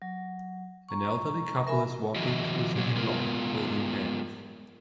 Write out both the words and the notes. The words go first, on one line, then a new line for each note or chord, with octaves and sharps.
An elderly couple is walking through a city block, holding hands.
F#3
A#5 C#6
A#4 E5 G#5 B5
D#3 F3 F#4 D#5 E5
A#2 F#3
G#3 B3 F4 A#4